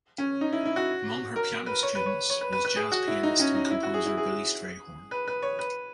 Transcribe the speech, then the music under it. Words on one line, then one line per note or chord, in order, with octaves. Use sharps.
Among her piano students was jazz pianist and composer Billy Strayhorn.
C#4
D#4
E4
E4
F#4
A#4
B4
C#5
B4
C#5
C#5
B4
B4
B4
G#4
F#4
E4
D#4
C#4
D#4
E4
F#4
G#4
E4
G#4
B4
B4
C#5
B4